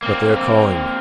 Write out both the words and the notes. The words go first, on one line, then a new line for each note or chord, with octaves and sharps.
But they are calling me.
A#3 C4